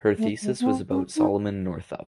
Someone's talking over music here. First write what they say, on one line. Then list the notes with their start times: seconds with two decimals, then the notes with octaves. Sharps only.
Her thesis was about Solomon Northup.
0.18 A3
0.42 G#3
0.60 B3
0.66 C4
0.91 C#4
1.16 D#4